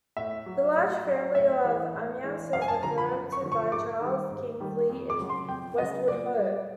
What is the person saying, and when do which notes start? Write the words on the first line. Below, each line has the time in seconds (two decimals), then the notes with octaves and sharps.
The large family of Amyas is referred to by Charles Kingsley in Westward Ho!
0.17 A2 E5
0.46 F#3
0.76 A2
1.05 F#3
1.35 A2 E5
1.65 E3 G#3
1.94 A2
2.24 E3 G#3
2.53 F#2 F5
2.62 G#5
2.68 A5
2.83 D3 F3 A#5
2.98 B5
3.12 F#2
3.32 C#6
3.42 D3 F3
3.52 C#6
3.72 G#2 D6
4.01 D#3 G3
4.31 G#2
4.60 D#3 G3
4.90 F2
5.10 D6
5.19 C#3 F#3
5.29 C6
5.49 F2 G5
5.78 C#3 F#3 D#5
6.08 A#2 D5
6.38 G3